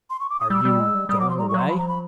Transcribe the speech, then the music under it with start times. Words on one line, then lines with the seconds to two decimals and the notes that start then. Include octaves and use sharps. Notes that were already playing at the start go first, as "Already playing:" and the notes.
"Are you... going away?"
0.10 C6
0.20 C#6
0.30 D6
0.40 D#6
0.50 G3 E6
0.65 G3
0.80 G#3
0.95 G3
1.09 G3 D#6
1.19 F#3 D6
1.29 F3 C6
1.38 G3 A#5
1.49 C#6
1.54 F#3 C6
1.68 F3 B5
1.78 A#5
1.88 B5